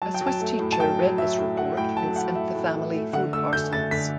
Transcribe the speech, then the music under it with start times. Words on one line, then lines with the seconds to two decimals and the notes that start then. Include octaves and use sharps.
A Swiss teacher read this report and sent the family food parcels.
0.02 F#3 A5
0.14 G5
0.21 F#3
0.27 A5
0.41 A3
0.59 A2
0.72 A5
0.79 F#3 G5
0.99 F#3
1.18 F#3 E5
1.38 A2
1.57 A3 F#5
1.77 A2 G5
1.96 F#3 A5
2.16 F#3 F#5
2.35 A2 E5
2.55 A2
2.75 A2
2.94 A3
3.13 D3 F#5
3.33 A3 E6
3.53 A3 G6
3.72 A3 A6
3.91 D3 B6